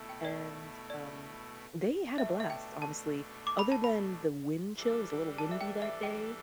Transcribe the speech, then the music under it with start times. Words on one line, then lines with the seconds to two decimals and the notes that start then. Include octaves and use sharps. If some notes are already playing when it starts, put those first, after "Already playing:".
and, um, they had a blast, honestly, other than the wind chill it was a little windy that day,
Already playing: B2 A3 E4
0.09 G5
0.25 D5
0.90 D5
2.18 B2 A3 D4 E5
2.40 E5
2.50 G5
2.82 A5
3.47 D6
3.59 B5
3.72 A5
3.84 B5
4.75 E3 G3 D4 A4
5.38 A5
5.51 E5
5.61 G5
5.82 E5
6.03 G5